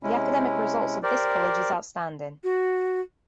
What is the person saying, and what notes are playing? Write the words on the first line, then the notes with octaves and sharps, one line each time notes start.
The academic results of this college is outstanding.
C3 G#3 C#4 E4
G4 A#4 C5 D5
F#4